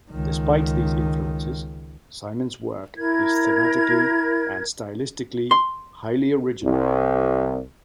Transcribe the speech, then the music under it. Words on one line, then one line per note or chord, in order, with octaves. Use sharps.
Despite these influences, Simon's work is thematically and stylistically highly original.
C#2 D#3
E4 A#4 G#6
C6
C2